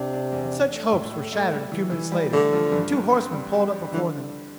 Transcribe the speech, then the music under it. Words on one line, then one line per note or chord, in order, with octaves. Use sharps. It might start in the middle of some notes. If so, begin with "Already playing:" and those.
But such hopes were shattered a few minutes later when two horsemen pulled up before them.
Already playing: C3 D4
D4
E2
D4
A3
A2
A3
A3
G3
E3
E3
G3
D3 A3
F3
G2
G2
C4
G3
G4
G3
D3 E3